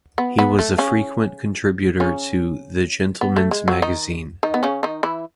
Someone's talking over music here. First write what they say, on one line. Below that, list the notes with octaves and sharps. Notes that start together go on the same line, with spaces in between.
He was a frequent contributor to "The Gentleman's Magazine".
B3
B3
A3
C#3 C#4
C#3 C#4
B3
A3
G#3
F#3
D#3 D#4
D#3 D#4
B3
C#3 C#4
D#3 D#4
E3 E4